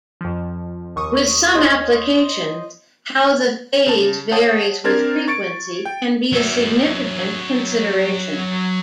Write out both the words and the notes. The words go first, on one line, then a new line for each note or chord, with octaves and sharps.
With some applications, how the phase varies with frequency can be a significant consideration.
F2 F3
D#2 C#6 D#6
C5 C#5 D#5
C#3 A5
C5 C#5 F#5 A5 D#6
C4 D4 A#4 C5 G#6 A6
C#6 A6 C#7 D7
G5
F#3 E5